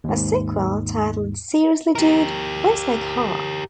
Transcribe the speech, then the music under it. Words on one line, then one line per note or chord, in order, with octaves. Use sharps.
A sequel titled Seriously Dude, Where's My Car?
D#2 G#2
G4 A#4